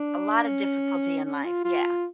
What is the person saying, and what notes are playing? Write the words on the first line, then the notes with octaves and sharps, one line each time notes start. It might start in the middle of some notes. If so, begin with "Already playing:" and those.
A lot of difficulty in life, yeah,
Already playing: D4
C#4
C#4
F4
F4